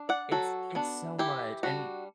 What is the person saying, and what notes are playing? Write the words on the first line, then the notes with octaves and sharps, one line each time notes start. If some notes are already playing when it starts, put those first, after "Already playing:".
It's it's so much, and,
Already playing: D4
D5 F#5
F#3 F#4 A4
B3 D4
E3 E4 G4
G3 D4 F#4